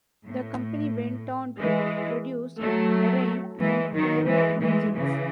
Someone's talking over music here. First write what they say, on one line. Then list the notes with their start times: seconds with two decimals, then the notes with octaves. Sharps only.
The company went on to produce marine and aero engines.
0.25 A2
1.59 E3 G#3
2.60 F#3 A3
3.61 E3 G#3
3.95 D#3 F#3
4.28 E3 G#3
4.63 E3 G#3
4.96 C#3 E3